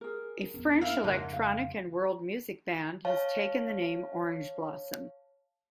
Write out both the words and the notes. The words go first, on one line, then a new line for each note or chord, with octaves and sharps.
A French electronic and world music band has taken the name Orange Blossom.
G#4 A#4
E2 B3 C#4
A#3 E4 F5
F2 G#2 C#3 A#3 A#4 A5
F5
C#5 F5 A5